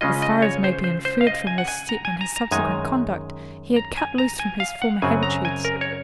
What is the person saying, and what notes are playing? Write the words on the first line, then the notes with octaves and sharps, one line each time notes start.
As far as may be inferred from this step and his subsequent conduct, he had cut loose from his former habitudes.
C#3 G#3 C#4 F4 D#5
D#5
C#5
C5
C5
C5
F5
D#5
G#5
F#5
G#5
A#5
G#5
A#5
A#5
F#2 D#3 G#3 D#4 G#5
A#5
G#5
A#5
G#5
F5
F#5
F#2 C#3 F#3 C4 G#5
A#5
G#5
A#4
C#5